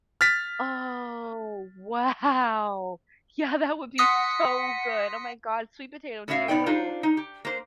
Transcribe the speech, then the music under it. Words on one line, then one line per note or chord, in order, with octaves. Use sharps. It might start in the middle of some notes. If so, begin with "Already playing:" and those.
Oh, wow. Yeah, that would be so good. Oh, my god. Sweet potato, too.
F6 A6 B6
F#5 C6 D#6 A#6 B6 C#7
A2 C#4 E4 F#4 E5 F5
B2 B3 D#4 D5 G5
D4 D#4 F4 C5
D#4
G4
A#3 C5